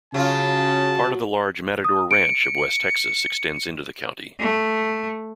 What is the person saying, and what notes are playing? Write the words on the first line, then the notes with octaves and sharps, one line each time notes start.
Part of the large Matador Ranch of West Texas extends into the county.
C#3 F#3 F4 A5
D#6
C#7 D7
A3